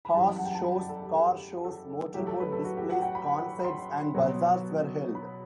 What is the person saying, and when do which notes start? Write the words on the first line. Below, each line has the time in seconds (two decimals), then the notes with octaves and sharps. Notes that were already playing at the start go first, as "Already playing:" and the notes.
Horse shows, car shows, motor-boat displays, concerts, and bazaars were held.
0.05 B5
0.14 F#2 E3 G3 A5
0.36 F#5
0.45 G5
0.55 A5
0.64 B5
0.77 D5
0.89 A4
1.02 G4
1.15 G4
1.64 A4
2.14 A2 F#3 G4
2.27 A4
2.40 B4
2.52 A4
2.64 F#4
2.77 G4
2.90 F#5
3.02 G5
3.15 B5
3.60 B5
3.65 C6
4.15 B2 F#3
5.15 B5